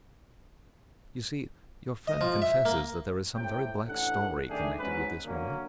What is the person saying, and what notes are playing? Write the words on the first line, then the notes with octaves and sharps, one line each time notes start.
You see, your friend confesses that there is some very black story connected with this woman.
D#5
F3
E5
A#3
C#2 A2 C3 G5
A1 D4 A4 F#5
D#3 A3 D4 G4 G#4
G#2 F#3 C#4 B4
D3 F#3 A#3 C#4